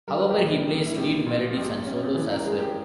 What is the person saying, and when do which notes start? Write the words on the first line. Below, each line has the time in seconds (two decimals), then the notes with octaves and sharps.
However, he plays lead melodies and solos as well.
0.08 G3 A#4
0.20 B4
0.30 G4 A#4
0.37 A#1
0.67 A#1
0.86 E4
0.96 A#1 G4
1.26 A#2
1.56 A#1
1.85 C#4
2.15 E3
2.33 A#4
2.45 G#3 G#4
2.60 G4